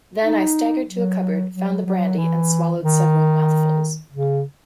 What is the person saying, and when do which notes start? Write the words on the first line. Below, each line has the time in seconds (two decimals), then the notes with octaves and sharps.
Then I staggered to a cupboard, found the brandy and swallowed several mouthfuls.
0.23 D#4
0.88 F#3
1.53 F#3
1.85 F#3
2.18 E3
2.83 D#3
4.12 C#3